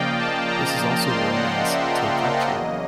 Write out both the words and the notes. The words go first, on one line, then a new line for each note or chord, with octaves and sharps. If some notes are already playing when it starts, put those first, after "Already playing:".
This is also known as "Tilkatri".
Already playing: C#3 F3 A#3 D5 D#5 F5 G5
A5
A#5
A5
C6
F#5
E5
D5
E2 C#3 F#3 A#3 D#5